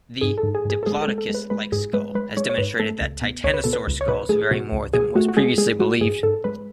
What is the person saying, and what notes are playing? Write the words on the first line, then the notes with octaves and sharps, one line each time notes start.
The "Diplodocus"-like skull has demonstrated that titanosaur skulls vary more than was previously believed.
G#2 G#4
A4
G#2
G#4
G#2 G#4
A4
G#3 G#4
A4
G#3
A4
G#3 B4
G#3 B4
G#2 G#4
G#3 B4
G#3 B4
G#3 C#5
C#5
G#2 B4
A3 A4
C#2
B2
C#2 C#5
B4
B2 A4
B4
C#2
C#5
B2 B4
A3 G#4
B2 F#4
C#2
B2 G#4
A3 F#4
F#4
G#3 G#4
G#3 G#4
G#3 F#4
G#2 G#4
G#2 A4
G#3 B4